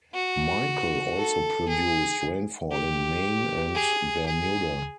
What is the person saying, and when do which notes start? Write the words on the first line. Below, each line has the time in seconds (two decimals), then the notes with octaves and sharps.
Michael also produced rainfall in Maine and Bermuda.
0.14 F#4
1.17 A4
1.68 G#4
2.72 G4
3.74 G#4
4.26 G#4